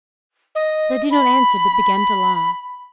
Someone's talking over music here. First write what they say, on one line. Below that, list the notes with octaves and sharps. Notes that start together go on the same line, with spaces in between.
They did not answer but began to laugh.
D#5
B5